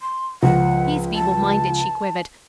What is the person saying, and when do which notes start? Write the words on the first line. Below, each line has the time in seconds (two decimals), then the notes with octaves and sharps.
"He's feeble-minded," she quivered.
0.01 C6
0.42 C#2 F3 F#5
1.15 A5